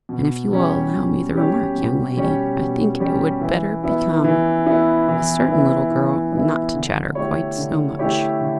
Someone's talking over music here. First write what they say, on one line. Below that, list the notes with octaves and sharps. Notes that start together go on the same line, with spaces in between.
"And, if you will allow me the remark, young lady, I think it would better become a certain little girl, not to chatter quite so much!"
B2
G3 C#4 G4 C#5
B2
G3 C#4 G4 C#5
B2
G3 C#4 G4 C#5
B2
G3 C#4 G4 C#5
E3
B3 E4
E3
B3 E4
E3
B3 E4
E3
B3 E4
D3
A3 E4 G4 C#5
D3
A3 E4 G4 C#5
D3